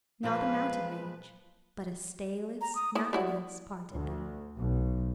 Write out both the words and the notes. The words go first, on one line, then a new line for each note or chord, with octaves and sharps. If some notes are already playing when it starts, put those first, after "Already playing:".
Not a mountain-range, but a stayless nothingness parted them.
A#2 F3 G#3 B4 F5
A#5
D#6
A#3 E4 D#6
G3 E4 F#4 C#5
D5
D2
B1